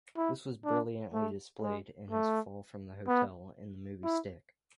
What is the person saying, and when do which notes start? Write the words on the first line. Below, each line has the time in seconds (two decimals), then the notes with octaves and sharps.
This was brilliantly displayed in his fall from the hotel in the movie "Stick".
0.17 E4
0.65 D4
1.13 A3
1.62 G#3
2.11 A3
3.08 B3
4.04 E4